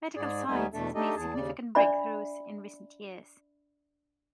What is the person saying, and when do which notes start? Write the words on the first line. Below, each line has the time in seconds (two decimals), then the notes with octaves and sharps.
Medical Science has made significant breakthroughs in recent years.
0.16 G#2 G#4 D5
0.48 D#2 G3 A3 B3 D#4 G#5
0.74 E2 B2 A3 D4 A4 E5
0.95 A3 D4 D#4 G4 A4 D#5
1.16 E2 G#4 A5
1.34 D#2 C#3 D5
1.75 D4 D5 E5 B5